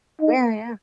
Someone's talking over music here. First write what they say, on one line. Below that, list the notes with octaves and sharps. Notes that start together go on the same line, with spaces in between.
Yeah, yeah.
D#4